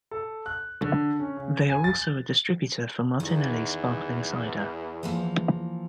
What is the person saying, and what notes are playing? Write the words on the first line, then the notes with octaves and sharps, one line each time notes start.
They are also a distributor for Martinelli's Sparkling Cider.
A4
F#6
D3
C#4
C#3
G#5
A6
E2 D#3
E3 F3 A#3